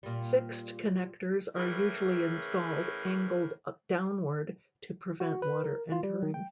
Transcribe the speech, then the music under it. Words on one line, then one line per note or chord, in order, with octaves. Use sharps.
Fixed connectors are usually installed angled downward to prevent water entering.
A#2 G3
A2 C#3 E3 A#4
F#4
B4
A#4
F4
G3
D#3
G5